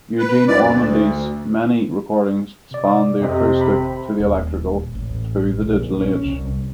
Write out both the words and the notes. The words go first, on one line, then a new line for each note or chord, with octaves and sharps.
Eugene Ormandy's many recordings spanned the acoustic to the electrical to the digital age.
B4
F#2 D5
D2
C3 D5
F2 C3 A4 D#5
G#1 B5
D#1
A1
A#1
C#4
C2